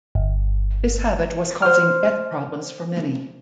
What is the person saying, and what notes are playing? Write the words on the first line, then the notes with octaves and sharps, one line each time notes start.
This habit was causing debt problems for many.
G1
C5 F6